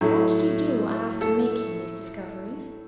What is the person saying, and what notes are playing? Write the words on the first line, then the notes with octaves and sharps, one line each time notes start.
"What did you do, after making these discoveries?"
A2 F#3 A3
A4